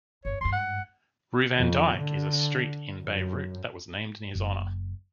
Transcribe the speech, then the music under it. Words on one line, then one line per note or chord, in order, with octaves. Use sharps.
Rue Van Dyck is a street in Beirut that was named in his honor.
G1 C#5
G#1 G2 C6
F#5
F2
D3
F#2
F#1